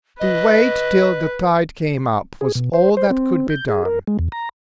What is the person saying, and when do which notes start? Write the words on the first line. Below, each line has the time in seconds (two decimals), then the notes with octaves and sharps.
To wait till the tide came up was all that could be done.
0.20 B4 D#5
2.41 G#4
2.55 B2
2.74 C5
2.97 C5
3.11 C4
3.50 G6
3.69 G#4
3.85 A#4
4.07 G#3
4.19 E2
4.32 A#5